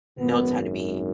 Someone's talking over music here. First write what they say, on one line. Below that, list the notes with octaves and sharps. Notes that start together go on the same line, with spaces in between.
notes had to be
G#1 F#2 D#3 B3